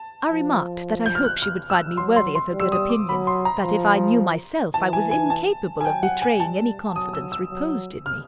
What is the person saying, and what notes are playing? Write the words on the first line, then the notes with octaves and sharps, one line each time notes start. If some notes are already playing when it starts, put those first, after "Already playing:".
I remarked that I hoped she would find me worthy of her good opinion; that if I knew myself, I was incapable of betraying any confidence reposed in me.
Already playing: A5
F3
G6
F6
F#6
F6
E6
F#3 C6
C6
C6
G3
E6
D#6
D6
F#3 B5
C6
A#5
F3
E3 A5
G#5
G#5
A5
G#5
F#3 G5
F#5
G#5
G3 A5
F#3 D#6
E6
E6
F#3
F6